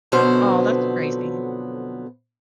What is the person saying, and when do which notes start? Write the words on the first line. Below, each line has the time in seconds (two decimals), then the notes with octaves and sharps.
Oh, that's crazy.
0.12 F2 B2 D3 F#3 B3 C5